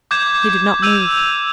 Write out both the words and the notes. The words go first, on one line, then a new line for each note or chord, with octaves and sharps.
He did not move.
D6 G6 G#6 E7
E6 G6 D#7 F7